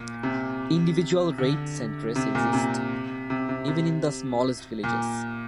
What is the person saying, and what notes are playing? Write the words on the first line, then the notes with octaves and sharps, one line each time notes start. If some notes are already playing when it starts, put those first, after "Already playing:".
Individual rate centres exist even in the smallest villages.
Already playing: A#2
C3
D3
C3
A#2
C3
C3
C3
C3
A#2